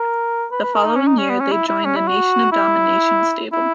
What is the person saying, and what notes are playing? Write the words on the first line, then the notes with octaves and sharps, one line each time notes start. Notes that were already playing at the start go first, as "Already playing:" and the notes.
The following year, they joined the Nation of Domination stable.
Already playing: A#4
B4
B4
A#4
D#4
C#4
D#4
C#4
B3
C#4
E4
E4
C#4
E4
F#4
E4
E4